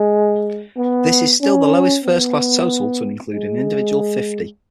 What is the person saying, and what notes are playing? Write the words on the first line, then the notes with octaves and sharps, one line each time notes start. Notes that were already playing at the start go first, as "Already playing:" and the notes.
This is still the lowest first class total to include an individual fifty.
Already playing: G#3
B3
C#4
B3
G#3